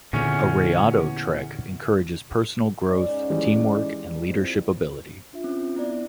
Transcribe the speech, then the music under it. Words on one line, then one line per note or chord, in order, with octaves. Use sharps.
A Rayado Trek encourages personal growth, teamwork, and leadership ability.
E2 A#2 D3 C#4
G#2 C#4 D5
E3 G#3 G4
F2
D4 F4 E5
C4 C#4
B3 E4 D5